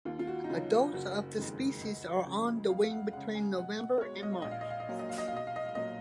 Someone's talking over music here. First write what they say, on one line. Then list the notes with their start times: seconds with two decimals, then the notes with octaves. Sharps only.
Adults of the species are on the wing between November and March.
0.05 D#2 F4
0.19 F4
0.27 F#4
0.44 D#4
0.49 C#3 F#3 F4
0.71 F4
0.93 F#1 F#4
1.37 F2 D#3 G#3
1.81 C#2
2.25 C#3 F3 G#3
2.69 F2 F5
2.83 F5
2.91 F#5
3.13 C#3 G#3 F#5
3.35 G#5
3.57 B1 F#5
3.79 F#5
4.00 B2 G#3 C#5
4.23 D#5
4.32 F5
4.42 A#1 D#5
4.51 F5
4.61 D#5
4.70 F5
4.80 D#5
4.89 A#2 F#3 F5
4.99 D#5
5.09 F5
5.18 D#5
5.28 F5
5.32 B1 D#5
5.47 F5
5.56 D#5
5.66 F5
5.75 A#2 F#3 D#5